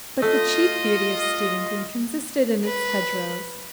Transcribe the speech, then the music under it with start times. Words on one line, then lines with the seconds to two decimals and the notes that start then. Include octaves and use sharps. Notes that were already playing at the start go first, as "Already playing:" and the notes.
But the chief beauty of Steventon consisted in its hedgerows.
0.22 A3 F4 D#5
2.65 B4